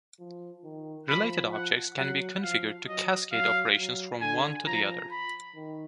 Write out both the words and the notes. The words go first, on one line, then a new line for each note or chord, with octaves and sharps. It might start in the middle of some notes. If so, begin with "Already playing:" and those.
Related objects can be configured to "cascade" operations from one to the other.
F3
D#3
F3 B5
F#5
F#3 F#5
F3 F5
F#3 D#5
F#3 F5
F#3
D3 G#5
F3 A#5
B5
D#3